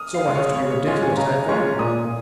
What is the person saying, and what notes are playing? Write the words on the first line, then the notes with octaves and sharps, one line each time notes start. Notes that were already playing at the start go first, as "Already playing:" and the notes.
So I have to be ridiculous and funny.
Already playing: D#6 F6
F5
G#3 C#4 F4
C#5
C#3 C#5
C#5
G#3 C#4 F4 D#5
G#5
C#3 A#5
G#3 C#4 F4 C#6
A#2 D#6